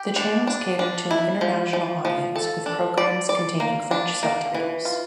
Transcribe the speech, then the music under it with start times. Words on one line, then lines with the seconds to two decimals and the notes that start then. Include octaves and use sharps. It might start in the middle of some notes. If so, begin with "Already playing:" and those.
The channels cater to an international audience, with programmes containing French subtitles.
Already playing: G4
0.16 D4
0.47 D4
0.79 D4
1.11 E4
1.41 F3
1.73 F3
2.05 F3
2.36 A4
2.66 D4
2.98 D5
3.29 D5
3.60 A#3
3.91 D4
4.23 A#3
4.54 E3
4.85 F4